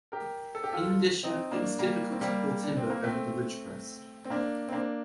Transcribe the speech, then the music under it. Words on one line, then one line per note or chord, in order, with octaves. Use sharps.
In addition, it was difficult to haul timber over the ridgecrest.
G4 A#4
A4
G4
F4 A4
C4 D#4
A#3 D4
G3 A#3
C4
G3 A#3
D4
C4
A#3
A3 C4
C4
A#3 D4
C4
A#3 D4